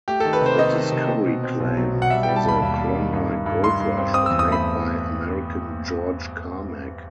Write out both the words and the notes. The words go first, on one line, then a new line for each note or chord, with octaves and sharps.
The discovery claim for the Klondike gold rush was made by American George Carmack.
A3 G4
D#3 A4
B4
C3 C5
D#3 D#5
D#3
C3
C4
B2
C4
B1
F#3
B2
F#5
G3 E5
G3 G5
A5
D#2 B5
D#2
G3
D#3
G2
G2
G2
G2 C6
G2
C4
C4 D#6
E2 E6
D#6
A3 B5